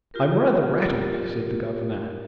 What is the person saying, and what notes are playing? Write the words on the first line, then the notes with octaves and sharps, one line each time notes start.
"I am rather rattled," said the Governor.
F4 G4 A#4